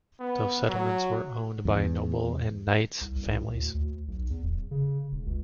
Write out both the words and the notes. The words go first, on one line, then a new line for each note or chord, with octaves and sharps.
Those settlements were owned by noble and knights' families.
B3
F#3
E2
C2
C2
A2
D2
D2
B1
E2
D1
C#3
E1
C#2